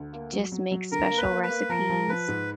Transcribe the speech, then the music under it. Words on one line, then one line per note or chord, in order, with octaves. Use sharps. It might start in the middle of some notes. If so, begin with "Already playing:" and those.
just make special recipes,
Already playing: D2
A#3
F#3
F#3
F#3
D3 A#4
A#3
B4
A#3
B4
A#3
F3 A#4
F3
F3 B4
G#2